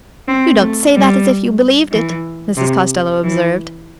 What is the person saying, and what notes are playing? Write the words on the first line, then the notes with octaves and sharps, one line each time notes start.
"You don't say that as if you believed it," Mrs. Costello observed.
C4
A3
G3
E3
C3
E3